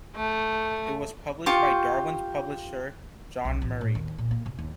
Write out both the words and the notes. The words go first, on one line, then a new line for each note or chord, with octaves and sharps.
It was published by Darwin's publisher John Murray.
A3
F4 G4 C#6
B1
A1
A2
D#2
A#2
A#3
C3
D#2